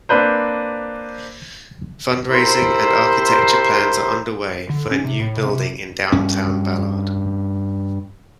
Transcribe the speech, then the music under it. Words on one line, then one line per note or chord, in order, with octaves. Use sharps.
Fundraising and architecture plans are underway for a new building in downtown Ballard.
A#3 C4 D4 B4 C5
E4 G4 A#4 C5
D3
C#4
C3
A2
C3
C3
G2 C#4